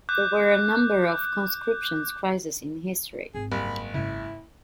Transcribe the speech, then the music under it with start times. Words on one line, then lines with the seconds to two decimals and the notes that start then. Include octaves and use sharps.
There were a number of conscription crises in history.
0.09 D6 F#6 G6
3.35 G#1 G#4
3.52 F#1 G3 B5
3.94 G#2 C#3 E4